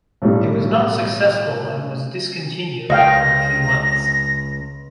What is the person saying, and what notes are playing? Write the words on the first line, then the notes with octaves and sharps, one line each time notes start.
It was not successful and was discontinued after a few months.
B1 A2 G3
C#2 D#5 F5 G5 A#6